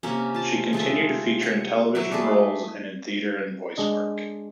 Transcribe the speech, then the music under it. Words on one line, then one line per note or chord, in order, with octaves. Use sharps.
She continued to feature in television roles and in theatre and voice work.
C3 A#3 C#4
F4 A5
G#3 A3 F4 A4
F#5
F#3 E4 F#4 E5
A3 G#4 B4 D5
G#3 D4 D#5